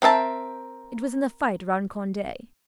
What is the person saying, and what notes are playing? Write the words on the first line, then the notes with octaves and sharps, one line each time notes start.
It was in the fight round Conde.
C4 A#4 E5 A5